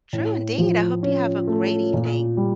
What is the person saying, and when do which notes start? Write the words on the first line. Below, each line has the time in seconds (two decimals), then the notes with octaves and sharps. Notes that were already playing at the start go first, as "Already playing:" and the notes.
True indeed, I hope you have a great evening.
0.13 A2
0.58 F3
1.03 C#4
1.47 A3
1.93 A#2
2.37 G3